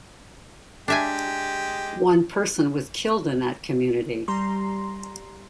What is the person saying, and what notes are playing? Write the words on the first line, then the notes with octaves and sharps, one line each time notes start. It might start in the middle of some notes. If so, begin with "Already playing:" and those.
One person was killed in that community.
G#3 D4 G4 E5 G#5
G3 A#5 C6